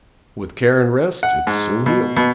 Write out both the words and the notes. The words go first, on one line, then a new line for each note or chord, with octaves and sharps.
With care and rest, it soon healed.
F#5
G#2
B2
B2